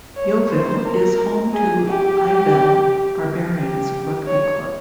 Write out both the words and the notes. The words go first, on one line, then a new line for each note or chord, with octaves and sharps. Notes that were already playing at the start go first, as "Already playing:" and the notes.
Yeovil is home to Ivel Barbarians Rugby Club.
C#5
C5
A#4
G#4
G4
G4
C#5